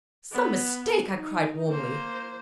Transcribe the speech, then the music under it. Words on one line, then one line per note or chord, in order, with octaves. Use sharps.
'Some mistake!' I cried, warmly.
B3
D#4
A#3 C5